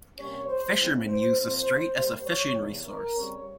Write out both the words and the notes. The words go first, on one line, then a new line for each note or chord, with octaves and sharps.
Fishermen use the strait as a fishing resource.
C3 G3 A#3 C#4 C#5
C5
G#2 E3 G3 C4
C5
A#2 F3 C4 C5
G2 G3 A#3
C#5
E2 C3 E3
A#4
C#3 G3 C4 C#5